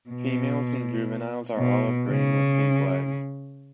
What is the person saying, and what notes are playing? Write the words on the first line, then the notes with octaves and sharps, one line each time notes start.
Females and juveniles are olive-green with pink legs.
B2
B2
C#3